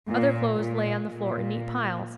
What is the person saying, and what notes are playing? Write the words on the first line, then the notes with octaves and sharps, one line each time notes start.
Other clothes lay on the floor in neat piles.
A#2
A#2
A#2